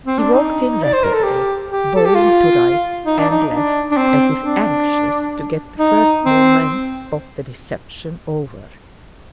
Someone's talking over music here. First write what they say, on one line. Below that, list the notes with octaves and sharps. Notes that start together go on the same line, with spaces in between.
He walked in rapidly, bowing to right and left as if anxious to get the first moments of the reception over.
C4
D4
D#4
D5
C5
A#4
A4
G4
G4
A4
G4
F4
D#4
D4
D#4
D4
D4
C4
D4
D#4
C4